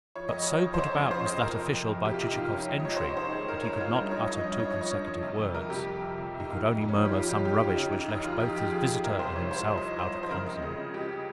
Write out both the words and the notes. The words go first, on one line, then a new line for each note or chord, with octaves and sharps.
But so put about was that official by Chichikov's entry that he could not utter two consecutive words--he could only murmur some rubbish which left both his visitor and himself out of countenance.
F3 C#5
F2 D#5
F3 C#5
F3
C5
F2 C#5
C#3
F3 C5
F2 D#5
C3 A#4
F3
F2
F3
C3 G4
F4
C3 D#4
F2 F4
F3 C#4
C#2
D#5
C3 C#5
C5
C#2 C#5
D#3 C5
C#2 G#4
D#3 A#4
C#2 C#5
D#4
C#2 F4
G2 A#4
D#5
F3 C#5
F3 D#5
G2
D#5
F3 C#5
D#5
F3
C#5
G2
F3
C3
F2
C3 A#4
C3 G4
F2
C3
C3
C3
D#4
F2 F4
F2 D#4
F2 D#4
C#4
F3 D#4
G4
F3 F4
F3 G4
F3 G4
F2 F4
C#4
C#3 D#4
D#2 D#4
D#2 D#4
F3 F4
F3 G4
F3 G4
F3 G#4
D#2 G#4
C2 A#4
C3 C5
F3 C#5
C2 C5
C2 C#5
D#5
F3
C2 C5
F3
C5
C#3 A#4
C#2 D#5
C#3 G#4
C#3
C#2 G4